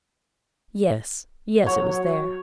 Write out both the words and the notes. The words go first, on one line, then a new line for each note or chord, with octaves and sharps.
'Yes--yes--it was there.'
F#3 C#5